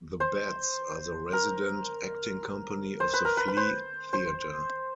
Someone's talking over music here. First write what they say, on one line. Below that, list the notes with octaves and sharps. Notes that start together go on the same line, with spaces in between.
The Bats are the resident acting company of The Flea Theater.
C5
A#4
C5
B4
A#4
B4
B4
C5
C5